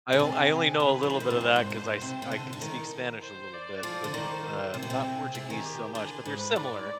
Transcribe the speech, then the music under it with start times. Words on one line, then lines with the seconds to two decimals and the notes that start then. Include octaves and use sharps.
I o I only know a little bit of that 'cause I s I can speak Spanish a little bit, but, uh, not Portuguese so much, but they're similar.
0.13 D3
0.19 C3 G#4
0.49 G#4
0.80 D3 B4
1.03 F3
1.10 D#3 C5
1.20 D#3
1.30 C3
1.40 G2 C5
1.56 G#2
1.70 B2
2.01 C3
2.22 C3
2.32 D3
2.53 D3
2.62 D#3
3.22 C5
3.53 D5
3.83 F3
4.04 D3
4.14 D#3 C5
4.44 C5
4.74 C3
4.82 B2
4.90 C3
5.04 G#4
5.35 C3 G#4
5.50 D#3
5.66 G4
5.95 D3 G#4
6.25 G#2 B4
6.56 G#2 D5